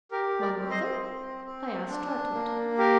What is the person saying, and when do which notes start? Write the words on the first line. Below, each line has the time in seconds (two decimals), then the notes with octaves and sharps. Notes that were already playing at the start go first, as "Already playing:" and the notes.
"My mother?" I asked, startled.
0.11 G4 A#4
0.41 A#4 D5
0.56 C4
0.71 C5 D#5
1.00 C4
1.45 C4
1.89 D4
2.34 A#3
2.78 G4 A#4